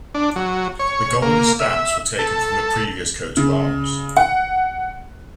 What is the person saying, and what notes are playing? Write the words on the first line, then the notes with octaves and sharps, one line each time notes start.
The golden stamps were taken from the previous coat of arms.
D4
F#3
C#5
A#3
E5
A4
C#3
F#5